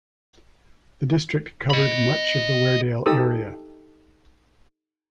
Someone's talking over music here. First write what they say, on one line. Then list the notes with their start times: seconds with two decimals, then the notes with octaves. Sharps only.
The district covered much of the Weardale area.
1.70 D#5 B5
3.06 D#4 G4 A4 A5 D#6 E6